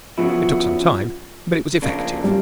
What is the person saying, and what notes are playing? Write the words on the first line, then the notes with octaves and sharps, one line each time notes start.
It took some time, but it was effective.
C#3 F3 F#3 B3 E4
C#3 F3 A#3 D4
G3